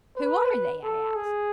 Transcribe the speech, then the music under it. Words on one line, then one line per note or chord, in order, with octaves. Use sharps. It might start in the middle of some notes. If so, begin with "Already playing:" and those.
"Who are they?" I asked.
B4
A4
G#4